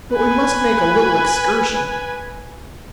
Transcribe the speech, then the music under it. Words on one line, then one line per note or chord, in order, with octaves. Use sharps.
But we must make a little excursion.
B4 G#5